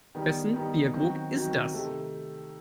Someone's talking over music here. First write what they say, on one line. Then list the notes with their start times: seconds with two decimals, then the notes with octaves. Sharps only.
Wessen Bierkrug ist das?
0.15 D#3 G3 B3
0.54 D#3 G3 B3
0.94 D#3 F#3 C4 F#4
1.34 D#3 F#3 C4 F#4
1.73 C3 D#3 A3